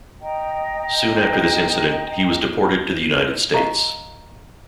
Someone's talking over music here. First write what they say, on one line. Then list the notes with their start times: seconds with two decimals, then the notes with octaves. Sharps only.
Soon after this incident, he was deported to the United States.
0.20 D#5 G5 A#5
3.54 D#5 F5 A#5 C#6